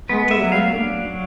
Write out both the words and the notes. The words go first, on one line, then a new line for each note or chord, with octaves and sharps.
How do I know?
B3 B4
E5
F#3
F5
D4
F#3